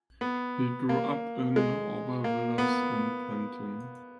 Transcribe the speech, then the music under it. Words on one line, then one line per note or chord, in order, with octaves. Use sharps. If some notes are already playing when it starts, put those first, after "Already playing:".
He grew up in Aubervilliers and Pantin.
B3
A#3
G#3
A#3
B3